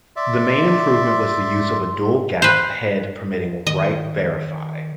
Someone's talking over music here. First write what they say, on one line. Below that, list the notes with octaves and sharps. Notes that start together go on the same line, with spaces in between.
The main improvement was the use of a dual gap head permitting write verify.
D5 E5 C6
B4 C5
D#3 D#5